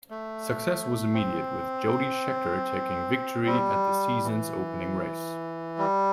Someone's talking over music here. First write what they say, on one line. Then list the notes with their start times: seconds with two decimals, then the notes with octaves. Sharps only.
Success was immediate with Jody Scheckter taking victory at the season's opening race.
0.10 A3
1.13 C4
3.46 G3
4.24 E3
5.78 G3